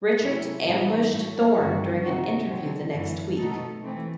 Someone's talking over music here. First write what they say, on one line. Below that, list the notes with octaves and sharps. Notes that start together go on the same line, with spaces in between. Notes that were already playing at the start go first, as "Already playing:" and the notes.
Richards ambushed Thorn during an interview the next week.
C3 F#3 A3 E4
A2 E3 G3 B3 D#4
A2 F#3 A3
G2 D#3 G3 C4 F#4
C3 D#3 F#3 C4 F#4
B2 F#3 C4
F#2 E3 A3
B2 A3 D#4 A4
E3 A3 C4